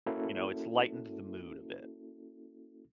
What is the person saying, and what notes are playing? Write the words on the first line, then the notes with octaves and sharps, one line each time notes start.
you know, it's lightened the mood a bit.
A#3 C#4 E4 F#4 A4